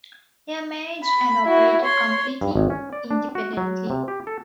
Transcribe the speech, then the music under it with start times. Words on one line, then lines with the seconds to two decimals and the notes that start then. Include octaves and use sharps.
They are managed and operated completely independently.
1.04 B5
1.45 E4 F#4
1.82 C#5 C6
2.41 G2
2.56 G#1
2.70 C#4
2.92 D5
3.11 D4
3.35 F#4
3.57 F#3
3.90 C3
4.08 G4
4.27 A4